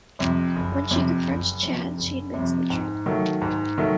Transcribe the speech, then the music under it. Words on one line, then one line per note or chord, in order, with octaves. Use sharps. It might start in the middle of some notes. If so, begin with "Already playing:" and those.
When she confronts Chad, he admits the truth.
F2 C3
F#1
F2 C3
F#1
F2 C3
F#1
F2 C3
G#2
D#3 F#3 A3
G#2
D#3 F#3 A3